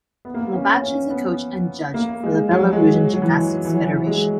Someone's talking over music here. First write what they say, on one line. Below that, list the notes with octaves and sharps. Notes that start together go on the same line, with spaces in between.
Lobatch is a coach and judge for the Belarusian Gymnastics Federation.
B3
A#3
B3
C#4
C#4
B3
A#3
G#3
F#3
G#3
F#3
F#3
E3
E3
F#3
E3
G#3